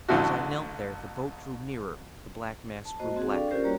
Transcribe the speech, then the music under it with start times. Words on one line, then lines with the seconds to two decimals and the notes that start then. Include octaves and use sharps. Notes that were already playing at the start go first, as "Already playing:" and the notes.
As I knelt there the boat drew nearer, the black mass grew blacker.
0.08 A1 D2 F3 E4 F#4
2.85 A5
2.99 A#3 F#4 C5 D#5 A5
3.16 C4 F#4 G#4
3.30 D4 A4 D5 F5 G5 C#6
3.50 C#4 F4 G4 A#4 C5 D5
3.64 G3 A#3 F#4 C#5 A#5